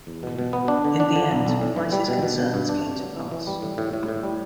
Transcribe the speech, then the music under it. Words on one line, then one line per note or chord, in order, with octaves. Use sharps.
In the end, Price's concerns came to pass.
E2
B2
B2
B3
D4
D3
D4
D3
B1
B1
A2
E3
G3
B2
B2
B2
G2
D4
A3
F#3
E3
E3
G3
A2
A2
A2
A2
G3